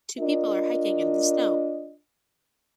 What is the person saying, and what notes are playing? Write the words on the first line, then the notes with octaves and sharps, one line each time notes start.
Two people are hiking in the snow.
D4 F4 A#4 D#5